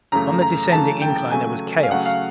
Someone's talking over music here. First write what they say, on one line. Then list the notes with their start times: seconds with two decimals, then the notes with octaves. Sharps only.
On the descending incline there was chaos.
0.12 F#2 C#3 E3 A3 A#5
0.42 A#5
0.71 F#2 C#3 E3 A3 A5
1.02 G5
1.31 C#3 F#3 A3 G#5
1.83 F5
1.91 C#3 F#3 A3 F#5
2.06 F5